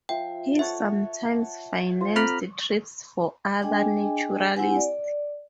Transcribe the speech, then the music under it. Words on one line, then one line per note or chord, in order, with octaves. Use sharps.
He sometimes financed trips for other naturalists.
F3 E5 G5
A4 C#5 E5 F#5
F4 C5
C4 A4 A#5 B5 F6
D4 G#4 D#5 G5 G#5
C4 E4 G4 F#5 G#5
D5